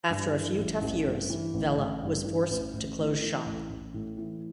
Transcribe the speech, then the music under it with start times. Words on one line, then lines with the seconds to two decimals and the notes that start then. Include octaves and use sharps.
After a few tough years, Vella was forced to close shop.
0.10 G2
0.33 E3
0.57 A1
0.82 A1
1.05 G2
1.30 E3
1.54 A1
1.77 A1
2.02 G2
2.25 E3
2.50 A1
2.73 A1
2.98 A2
3.22 E3
3.46 A1
3.70 A1
3.94 A2
4.18 E3